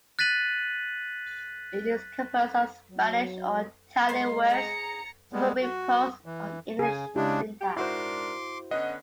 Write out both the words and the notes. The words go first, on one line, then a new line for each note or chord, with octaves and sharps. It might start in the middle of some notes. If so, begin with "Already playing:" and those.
It is composed of Spanish or Italian words superimposed on English syntax.
F#6 A6 B6 D#7 F#7
F#3
G#3 D#5 C6
G#4 A#5 C#7
G3 G#3 B3
F#4
E3
C#3 G#4 G#5
C#3 G#3 D4 E4 G4
G4
G#2 D4 E4 F#4 A#4 C5 C6 D6
D3 B3 C#4 D#5